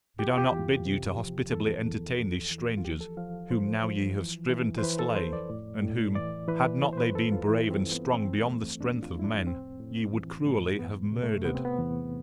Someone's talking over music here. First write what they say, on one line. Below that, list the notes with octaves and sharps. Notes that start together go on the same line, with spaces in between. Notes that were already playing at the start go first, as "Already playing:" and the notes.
Did I not bid you to hospitably entertain these strangers, whom now ye have striven to slay, and whom, had not they been brave and strong beyond the strength of men, ye would cruelly have murdered?
E2 G4
F4
G4
E2
C3
F3
E2 A4
E2
E2
E3
F4
F3 G4
A4
F3 F5
F3 C5
F3
E3
E3
C5
E3 B4
A4
F2 C5
D5
A2
A2
E3 D5
E3 B4
E3 A4
C5
B4
G2 A4
F4
E3 E4
C4
G2
B3
E3 C4
F2 A3
F2 D4
F4
F2
E4
D4
A2 C4
A2
E3
A2
E2 B3
C3
A3
C3 B3
C4
B3
E2